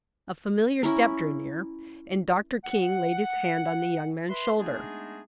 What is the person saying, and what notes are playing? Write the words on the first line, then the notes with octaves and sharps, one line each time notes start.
A familiar step drew near, and Dr. King laid his hand on the young man's shoulder.
C#4 E4 A#4
F#5
B4 E5 B5 C6
G#3 A3 B3 D4 D#4 G#4